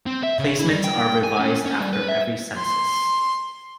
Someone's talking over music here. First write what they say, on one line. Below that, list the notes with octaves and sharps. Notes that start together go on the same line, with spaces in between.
Placements are revised after every census.
C4
E5
C#3
E4
G3
G5
G#5
C#4
C#4
G3
B4
E5
C6